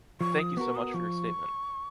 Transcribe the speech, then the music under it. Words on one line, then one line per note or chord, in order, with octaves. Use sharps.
Thank you so much for your statement.
F3 C#6
D#6
B3 F#4 A#4 C#6
D#6
F3 C#6